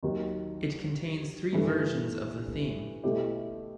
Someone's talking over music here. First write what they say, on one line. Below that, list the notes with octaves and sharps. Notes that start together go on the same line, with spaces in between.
It contains three versions of the theme.
D#2 D#3 F#3
G2 E3 A3
B2 A3 E4 G4